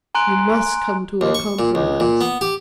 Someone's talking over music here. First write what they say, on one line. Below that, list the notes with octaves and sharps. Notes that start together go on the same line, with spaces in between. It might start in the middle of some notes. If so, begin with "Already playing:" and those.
You must come to a compromise.
G#5 A#5 C6 F#6 D7
D#2
C#6
A#2
C#2
A#2
B3
G4